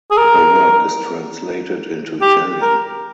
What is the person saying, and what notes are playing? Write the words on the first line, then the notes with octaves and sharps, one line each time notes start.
Her work is translated into Italian.
G#4
A#4
G4
A#4